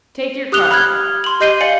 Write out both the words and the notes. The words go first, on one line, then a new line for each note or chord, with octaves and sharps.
Take your cards.
G4 D#6 F#6 F7 G7
B5 F6 F#6 G#6
C6 F#7
G4 D#5 G6 C7 D#7 G7
D5 F5 G#5 C#7 F#7